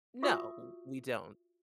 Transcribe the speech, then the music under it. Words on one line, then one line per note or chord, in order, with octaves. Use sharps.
No. W we don't.
F4 F#4 E5 C#6 D#6 E6